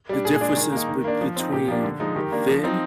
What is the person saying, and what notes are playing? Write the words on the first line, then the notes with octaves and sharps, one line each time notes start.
the differences be between then,
G3 D4
A#2 G#4
G#3 D4
D#3
A#3 D#4
D#3
A#3 D4
F3
C4 D#4
A#2 G4
F3 A#3 D4
D3
F3 G#3 D#4
D#3 G4
A#3 D4
F3
C4 D#4